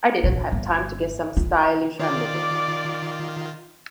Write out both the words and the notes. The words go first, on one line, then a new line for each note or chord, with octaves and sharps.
I didn't have time to get some stylish underwear.
A#1 D#2
G1
F4
D#3 F4 D5 D6